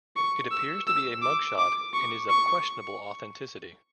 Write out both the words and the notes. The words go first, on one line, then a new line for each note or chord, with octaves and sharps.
It appears to be a mugshot and is of questionable authenticity.
C#6
E6
E6
D6
D6
C#6
C#6